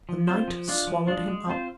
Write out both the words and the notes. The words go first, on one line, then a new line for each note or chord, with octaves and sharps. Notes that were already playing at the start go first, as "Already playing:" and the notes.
The night swallowed him up.
F3
C4 F4 C5
F3
G#3 D4 F4
F3
G#3 D4 F4
G#3
C4 F4 C5